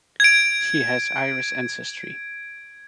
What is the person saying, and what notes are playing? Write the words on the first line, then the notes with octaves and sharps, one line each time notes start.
She has Irish ancestry.
G#6 D7